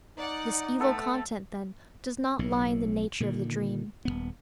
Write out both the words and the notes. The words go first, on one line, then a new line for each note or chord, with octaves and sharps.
This evil content, then, does not lie in the nature of the dream.
D#4 D5 F#5
A3 B3 A4 C5
B1 A2
A#2 D3 D#3
D#1 E2 B3